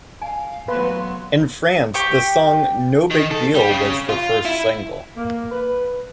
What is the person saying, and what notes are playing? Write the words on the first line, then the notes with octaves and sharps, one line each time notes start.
In France the song "No Big Deal" was the first single.
F5 G#5
F#3 A3 B3 B4 F5 C6
G4 G5 C#6
D#3
A4
G3
C#3
F4
E4
A#3
B4